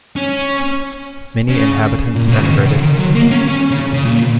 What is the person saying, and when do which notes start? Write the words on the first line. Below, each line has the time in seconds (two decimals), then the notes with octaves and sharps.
Many inhabitants emigrated.
0.16 C#4
1.49 C#3
2.15 A#2
2.28 A#2
2.32 C#3
2.49 D#3
2.65 C#3
2.83 D#3
2.99 F#3
3.15 A#3
3.31 C#4
3.49 C#4
3.71 C#3
3.93 C#3
4.05 A#2